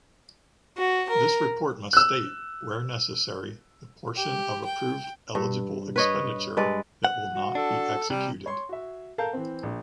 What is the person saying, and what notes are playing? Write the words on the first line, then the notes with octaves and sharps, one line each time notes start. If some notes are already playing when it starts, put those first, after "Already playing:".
This report must state, where necessary, the portion of approved eligible expenditure that will not be executed.
F#4
A#4
E6 F#6
G4
G5
G2
B4 C#5 D#5
G2 G#3 B4 D5
F#5
F#4
D4 A4
C3 G3
C#5 C6
F#4 E5
A4 A#4 F5 A5 G6
E3 C4
A#1